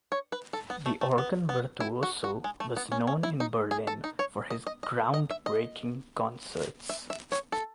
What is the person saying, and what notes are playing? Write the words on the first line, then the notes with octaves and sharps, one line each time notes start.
The organ virtuoso was known in Berlin for his "groundbreaking" concerts.
C#5
B4
A4
B3
A3
A3
B3
B3
E4
F#4
F#4
G#3
A3
B3
C#4
C#4
E4
D#4
G#4
A4
D#4
C#5
D#5
D#5
D#5
D#5
E5
D#5
E5
E5
C#5
A4